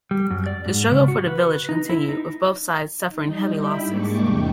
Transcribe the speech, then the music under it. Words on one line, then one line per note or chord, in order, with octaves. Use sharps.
The struggle for the village continued, with both sides suffering heavy losses.
G3
F#2
D5
G#2
C#3
F#4
B4
D#4
E4
D#4
G3 D#4
D4 E4 E5 G5 B5
G#2 G#3 A#3 D4 C#6 D6
E2 C3 G3 G5